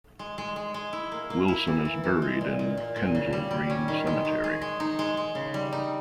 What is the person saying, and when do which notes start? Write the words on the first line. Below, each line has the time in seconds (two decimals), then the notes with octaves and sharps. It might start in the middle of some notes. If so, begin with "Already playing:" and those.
Wilson is buried in Kensal Green Cemetery.
0.19 G#3
0.38 G#3
0.56 G#3
0.74 G#3
0.93 E4
1.12 A#3
1.30 A#3
1.48 E4
1.67 E3
1.85 E3
2.04 E3
2.22 G#3
2.41 A#2
2.59 A#2
2.77 A#2
2.96 A#2
3.15 C#3
3.33 G3
3.51 G3
3.70 C#4
3.88 D#3
4.07 G#3
4.25 D#3
4.44 G#4
4.62 G#3
4.80 D#4
4.99 G#3
5.17 G#3
5.35 C#3
5.54 G3
5.73 D#4